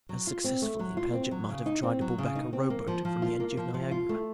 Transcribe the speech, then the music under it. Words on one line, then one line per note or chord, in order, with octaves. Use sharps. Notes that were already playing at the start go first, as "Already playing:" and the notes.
As successfully Paget might have tried to pull back a row-boat from the edge of Niagara.
F#3
F4
C4
A3
F#3
F4
C4
F#3
C#3
D#4
C4
F#3
C#3
D#4
C4
A#3
F3
F3
F4
A#3
F3
F3
F4
A3